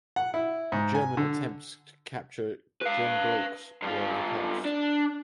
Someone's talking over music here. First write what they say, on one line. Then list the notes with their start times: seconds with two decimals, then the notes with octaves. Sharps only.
The German attempts to capture Gembloux were repulsed.
0.16 F#5
0.34 E4
0.72 G#2
0.95 G#5
1.17 D3
2.82 B4 F5
3.82 G2 F4
4.65 D4